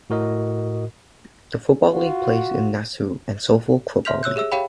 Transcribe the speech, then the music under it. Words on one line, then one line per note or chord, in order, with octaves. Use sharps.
The football league plays in the Nassau and Suffolk Football League.
A2 F#4 A#4 D#5
F4 F#4
E5 C6 F6 G6 B6 F7
C#5 E6 F#6 G6
G4 G#4 E5 E6
G4 C#5 F5 G5 B5